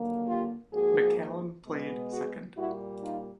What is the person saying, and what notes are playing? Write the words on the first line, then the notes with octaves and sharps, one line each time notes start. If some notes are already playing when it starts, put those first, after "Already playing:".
McCallum played second.
Already playing: D#2 D3 F#3 A#3
F4 G4
G#2 F3 A#3 F#4 G#4
B2 G#3 B3
F#4 G#4
A#2 G3 A#3 E4 F#4
D#4 F4